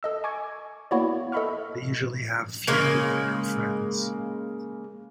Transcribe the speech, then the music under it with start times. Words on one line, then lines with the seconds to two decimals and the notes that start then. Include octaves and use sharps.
They usually have few or no friends.
0.03 A4 D#5 E6
0.24 G#5 C#6 D6 G#6
0.91 A#3 B3 E4 F#4 C#5 D5
1.32 A4 D#5 E5 B5 C#6 F6
2.67 C#3 G#3 A#3